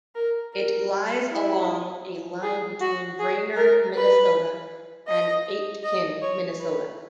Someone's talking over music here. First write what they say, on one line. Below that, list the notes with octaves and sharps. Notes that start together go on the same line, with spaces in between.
It lies along a line between Brainerd, Minnesota, and Aitkin, Minnesota.
A#4
A#4
E4
G#4
F#4
G#4
A#4
B4
D#5
D#5
C#5
B4